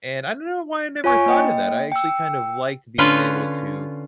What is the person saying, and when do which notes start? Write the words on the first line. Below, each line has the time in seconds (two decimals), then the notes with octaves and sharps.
and I don't know why I never thought of that. I actually kind of liked being able to,
1.04 F4 C#5 G#5 C#6
1.26 A#3 D#5 G5
1.92 G5 E6
2.98 D3 C#4 F4 B4